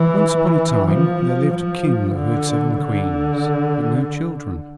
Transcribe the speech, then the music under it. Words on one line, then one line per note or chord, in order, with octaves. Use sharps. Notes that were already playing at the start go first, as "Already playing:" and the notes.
Once upon a time there lived a King who had seven Queens, but no children.
Already playing: E3
F3
F3
D3
D3